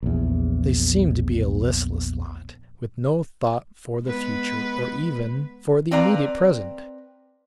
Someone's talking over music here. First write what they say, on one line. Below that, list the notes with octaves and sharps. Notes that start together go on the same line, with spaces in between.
They seemed to be a listless lot, with no thought for the future, or even for the immediate present.
A#1 E2
G#3 B3 B4
C4 B4 D5 F5 A#5